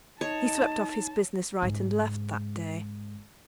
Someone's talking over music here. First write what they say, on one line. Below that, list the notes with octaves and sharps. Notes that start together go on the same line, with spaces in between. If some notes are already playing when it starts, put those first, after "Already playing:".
He swept off his business right and left that day.
D#4 C#5 D#5 A5
G#2 C#3